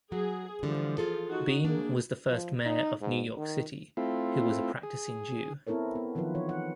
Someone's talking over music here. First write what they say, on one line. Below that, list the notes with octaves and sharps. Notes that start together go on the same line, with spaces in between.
Beame was the first mayor of New York City who was a practicing Jew.
F#3 G#4
D3 E3 F3 G3
F4 G#4 A4
D#4 F#4
A#3 D4 G#4
F3
D#4
G#2
D#3
A3 C4 E4 F4
G#4
B3 C4 E4 A4 A#4 C#5
B3
D#3 F3 F#3 F4 B4
E3 C#5
F#5